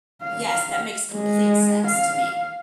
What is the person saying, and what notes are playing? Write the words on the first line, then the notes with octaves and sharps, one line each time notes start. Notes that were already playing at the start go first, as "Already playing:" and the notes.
Yes, that makes complete sense to me.
F5
G#3
F5